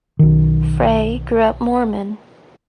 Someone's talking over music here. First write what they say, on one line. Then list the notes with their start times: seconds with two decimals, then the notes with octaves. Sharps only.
Frey grew up Mormon.
0.19 B1 D#3